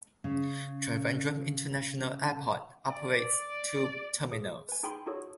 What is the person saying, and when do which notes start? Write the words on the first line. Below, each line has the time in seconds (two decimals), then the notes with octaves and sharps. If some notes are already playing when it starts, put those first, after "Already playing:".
Trivandrum International Airport operates two terminals.
0.24 C#3 C#4
2.89 D5
4.32 G#4
4.69 B4 G#5
4.83 D#4 G#4 G5 G#5 B5 C6
5.06 D#4 F4 F#4 G#4 A4 C#5